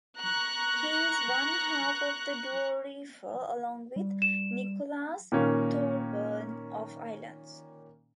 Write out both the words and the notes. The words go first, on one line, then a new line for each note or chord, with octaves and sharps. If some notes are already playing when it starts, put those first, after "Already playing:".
He is one half of the duo Reefer along with Nicholas Thorburn of Islands.
A#5 C#6 F#6
G3
E7
A#2 D#3 A#3 C#4